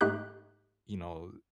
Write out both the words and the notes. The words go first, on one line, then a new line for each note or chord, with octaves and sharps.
you know,
G#2 A3 D#4 G4 F#6